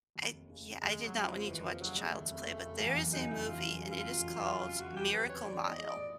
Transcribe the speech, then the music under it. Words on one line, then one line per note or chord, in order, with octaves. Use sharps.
I Yeah, I did not want you to watch Child's Play, but there is a movie, and it is called Miracle Mile.
D#2
F1
C#3
F1
D#2 G#3
F1
F#3
C#3
F3
F1
D#2 E3
F1 F3
C#3 F#3
F1 G#3
D#2 A3
F1
C#3
F1
E2 A#3
F#3
C#3 D#4
F1 E4
E2 F4
F#3
C#3
F4
F1
E2
F#3
C#3
F1
E2 F#4
F#3 G4
C#3 B4
F1 C#5
E3 D5
B3
D#5
G#3
D5
A2